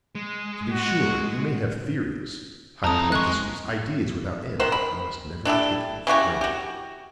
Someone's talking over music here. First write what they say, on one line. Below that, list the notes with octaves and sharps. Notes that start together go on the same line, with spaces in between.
To be sure, you may have theories, hypotheses, ideas without end, but you must never take them for granted.
G#3
F#4
F2 E4 A5 A#5 D#6
G#3 C#6 F#6
D#3 C5 F#5
B5
D4 E4 G4 A4
C#3 E4 F#4 G4
F#4 G4